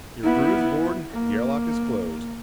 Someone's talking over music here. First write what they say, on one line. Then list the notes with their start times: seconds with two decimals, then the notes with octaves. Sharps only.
Your crew is aboard, the air lock is closed.
0.24 B3 E4
1.10 A#3